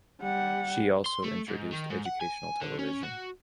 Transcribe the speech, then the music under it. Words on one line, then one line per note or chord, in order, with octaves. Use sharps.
She also introduced educational television.
G3 F#5
C6
A3
G#2
D#3
G#2
F#5
G#5
D3
C#4
F#4